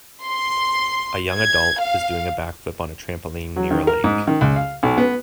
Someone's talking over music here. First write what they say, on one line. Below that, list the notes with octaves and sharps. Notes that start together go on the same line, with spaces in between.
A young adult is doing a back flip on a trampoline near a lake.
C6
G#6
F5
F#3
D#3
A#4
G#2
D#3
C#2
F5
B1
B3